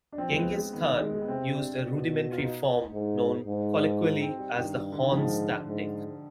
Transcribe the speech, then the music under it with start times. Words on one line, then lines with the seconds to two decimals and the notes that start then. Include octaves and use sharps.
Genghis Khan used a rudimentary form known colloquially as the "horns" tactic.
0.12 D4
0.18 F3 C4
0.30 G#3
0.36 B3
0.55 G#3
0.73 D#3 B3
1.01 G#3
1.15 G#3
1.22 B3
1.28 C3 C4
1.55 D4
1.82 B2
2.32 F4
2.38 D#4
2.93 G#2
3.47 G#2
4.02 D#4
4.21 C4
4.38 G3
4.57 G2 D#3
4.92 D3
5.02 D#3
5.12 G#2 F3
5.67 G#2